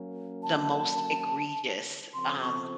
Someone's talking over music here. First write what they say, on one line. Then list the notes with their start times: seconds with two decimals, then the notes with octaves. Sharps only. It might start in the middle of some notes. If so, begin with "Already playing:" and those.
the most egregious, um,
Already playing: F#3 A#3 C#4
0.43 A5
2.14 C#3 F3 C4 F4 A4 C6
2.42 C#6